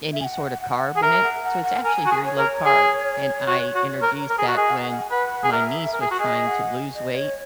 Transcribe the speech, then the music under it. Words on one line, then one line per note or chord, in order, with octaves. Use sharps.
any sorta carb in it, so it's actually very low-carb, and I introduced that when my niece was trying to lose weight,
E5
G#5
F#5
F#5
G#4
A#4 E5
F#5
F#5
F#5
A#4 G#5
F#4
G#4
C#5
A#4
G#4
F#4
F#4
A#4
A#4
G#4
F#4 D#5
G#4
F#5
F#5
G#5
B4 F#5
G#4
A#4 E5
A#4
G#4
F#4
G#4 D#5
F#5
D#5
C#5